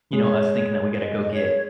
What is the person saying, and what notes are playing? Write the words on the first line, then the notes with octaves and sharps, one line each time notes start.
you know, us thinking that we gotta go get,
G#3 C#5
C#5
D#5
D#5
C#5